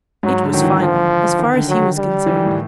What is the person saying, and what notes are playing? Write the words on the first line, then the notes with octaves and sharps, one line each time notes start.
It was final, as far as he was concerned.
G#2 F#3
D3
D#3 F#3
E3
D3
F3
D#3
D3
F#3
G3
E3
D#3
A2